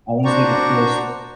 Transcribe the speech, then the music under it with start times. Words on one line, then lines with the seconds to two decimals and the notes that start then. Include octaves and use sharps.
I wanna say the first
0.25 D4 F#4 C5 D5 A#5 C#6